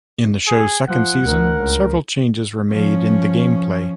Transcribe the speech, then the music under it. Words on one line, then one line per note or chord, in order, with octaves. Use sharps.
In the show's second season, several changes were made in the gameplay.
G#4
F3 F#5
D2 A#4
C#2
F3 C#4